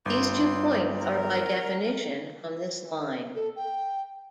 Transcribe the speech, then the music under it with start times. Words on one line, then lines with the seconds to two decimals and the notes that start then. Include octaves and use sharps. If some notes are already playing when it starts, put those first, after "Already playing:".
These two points are by definition on this line.
0.06 G1 C6
0.99 A#4
3.35 A4
3.56 G5